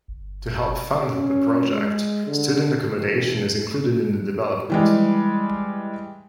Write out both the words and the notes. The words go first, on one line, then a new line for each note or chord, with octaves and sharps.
To help fund the project, student accommodation is included in the development.
G1
C#4
G#3
D3
E1
E3 G3 G#3